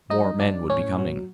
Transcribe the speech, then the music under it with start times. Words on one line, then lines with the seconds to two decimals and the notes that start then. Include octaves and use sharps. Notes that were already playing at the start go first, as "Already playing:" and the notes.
More men would be coming.
0.10 F#3 D#4 D#5
0.39 F#3 D4 D5
0.70 A2 C#4 C#5
0.98 F#3